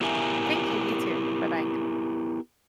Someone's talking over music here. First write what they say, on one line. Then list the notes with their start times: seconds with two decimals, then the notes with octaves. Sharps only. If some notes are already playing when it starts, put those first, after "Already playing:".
Thank you, you too. Bye-bye.
0.01 B3 E4 G4 A#4 E5 G#5